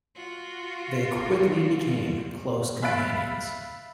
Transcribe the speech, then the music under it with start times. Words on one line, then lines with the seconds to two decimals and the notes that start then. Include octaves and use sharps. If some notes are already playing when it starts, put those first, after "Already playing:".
They quickly became close companions.
0.15 F4 F#4
2.82 E5 F5 B5 F#6 A6 D7